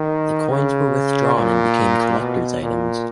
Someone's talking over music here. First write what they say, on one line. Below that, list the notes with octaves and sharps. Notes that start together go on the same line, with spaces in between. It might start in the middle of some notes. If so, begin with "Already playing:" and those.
The coins were withdrawn and became collectors' items.
Already playing: D#3
C#3
A#2
B2
A#2